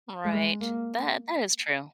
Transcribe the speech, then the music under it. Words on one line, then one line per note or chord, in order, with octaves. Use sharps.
Right. That that is true.
G#3
A#3